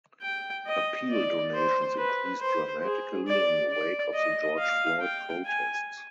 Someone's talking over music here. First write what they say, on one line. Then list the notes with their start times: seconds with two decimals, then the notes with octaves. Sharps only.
Appeal donations increased dramatically in the wake of the George Floyd protests.
0.22 G5
0.66 D#5
1.10 D5
1.54 C5
1.98 B4
2.40 C5
2.85 G#4
3.28 D5
3.71 D5
4.15 D#5
4.59 F5
5.02 G5
5.46 G#5